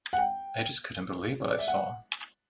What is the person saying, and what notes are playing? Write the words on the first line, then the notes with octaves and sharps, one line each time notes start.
I just couldn't believe what I saw.
F#5
G5
C#5
D5
E5
F#5